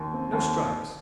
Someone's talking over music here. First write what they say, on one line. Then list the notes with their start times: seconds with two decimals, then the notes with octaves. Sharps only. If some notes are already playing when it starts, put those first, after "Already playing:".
No strikes!
Already playing: D#2
0.14 C4
0.33 D#2